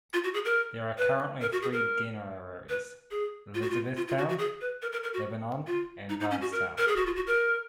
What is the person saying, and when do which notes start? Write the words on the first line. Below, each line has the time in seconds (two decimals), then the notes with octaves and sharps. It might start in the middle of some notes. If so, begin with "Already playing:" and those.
There are currently three deaneries: Elizabethtown, Lebanon, and Bardstown.
0.13 F4
0.24 F#4
0.34 G#4
0.45 A#4
0.98 B4
1.41 A#4
1.52 F#4
1.62 G#4
1.73 A#4
2.69 B4
3.11 G#4
3.55 F4
3.62 F#4
3.70 F4
3.97 F4
4.08 F4
4.18 F#4
4.29 F#4
4.39 G#4
4.61 B4
4.82 A#4
4.92 A#4
5.03 A#4
5.14 F#4
5.67 F4
6.09 D#4
6.20 D#4
6.31 C#4
6.41 F#4
6.52 A#4
6.78 A#4
6.88 G#4
6.96 F#4
7.06 F4
7.16 F#4
7.27 A#4